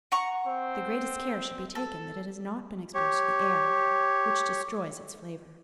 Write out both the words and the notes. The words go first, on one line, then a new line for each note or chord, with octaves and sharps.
The greatest care should be taken that it has not been exposed to the air, which destroys its flavour.
F#5 A#5 C#6
C4
A4
G4 C#5